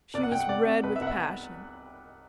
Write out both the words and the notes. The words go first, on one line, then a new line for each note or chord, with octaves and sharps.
She was red with passion.
C2 D5
F#5
C2 G5
F#5
C2 D5
C3
C2 B4
E5
C2 F#5
E5